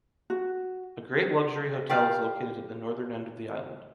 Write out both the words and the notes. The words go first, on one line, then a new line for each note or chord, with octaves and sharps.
A great luxury hotel is located at the northern end of the island.
F#4
G4 D5 F5